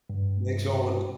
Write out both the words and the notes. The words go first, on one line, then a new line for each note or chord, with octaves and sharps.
makes all of the
G2